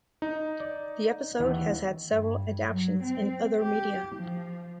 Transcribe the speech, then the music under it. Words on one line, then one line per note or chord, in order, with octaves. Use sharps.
The episode has had several adaptations in other media.
D#4
D5
D#2 E3 B3
G2
F#3
C4
G4
F3